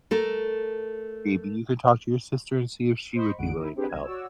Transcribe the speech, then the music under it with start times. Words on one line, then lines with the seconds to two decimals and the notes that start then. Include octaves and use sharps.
maybe you could talk to your sister and see if she would be willing to help."
0.11 A3 A4 A#4
3.15 C5 D#5 B5 C#6
3.38 A1 F2 G#2 D3 F#5 D7
3.57 D#4 E4
3.75 C4 D4 G4 G#4 B4 C5
3.89 C2 D#5 G#6
4.03 F#4 C#5 D5 E6